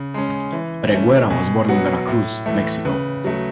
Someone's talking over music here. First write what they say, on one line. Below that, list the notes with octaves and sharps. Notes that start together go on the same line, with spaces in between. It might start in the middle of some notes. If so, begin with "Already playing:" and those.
Reguera was born in Veracruz, Mexico.
Already playing: C#3
G#3 C#4
E3
A3 C#4
B2 G#5
F#3 B3 F#5
A2
E3 A3
C#3 B4
F#3 A3